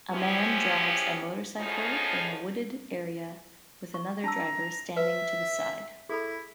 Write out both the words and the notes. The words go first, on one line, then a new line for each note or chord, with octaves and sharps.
A man drives a motorcycle in a wooded area, with another driver standing to the side.
F3 G#3 B3 C#4 E4 G4
D2 A2 F3 D#4 G#4 C#5
C#6
D4 A5 A#5 E6
B4 E5
E4 G#4 A4 B5